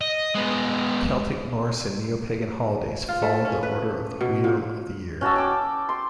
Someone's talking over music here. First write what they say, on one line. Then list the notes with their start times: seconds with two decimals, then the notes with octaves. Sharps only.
Celtic, Norse, and Neopagan holidays follow the order of the Wheel of the Year.
0.01 D#5
0.35 G#3 B3
3.09 F4
3.22 A3
3.45 C#4
3.63 B4
4.21 B2
4.44 A#2
5.21 C#4 F#4 A5 E6
5.36 G5 D6
5.89 C6